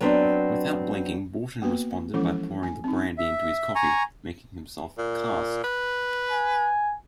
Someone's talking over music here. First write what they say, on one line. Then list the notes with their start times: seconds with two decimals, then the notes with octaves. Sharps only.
Without blinking Borten responded by pouring the brandy into his coffee, making himself "karsk".
0.01 F#3 B3 C4 D4
1.62 A#3 B3 F#4 B4
2.14 E3 F3 G#3 C#4 E4 A4
2.63 G#5
2.84 C4 D#4
3.18 E5
3.75 G#5 A#5 C#6
4.98 A#2
5.64 B4
6.31 G#5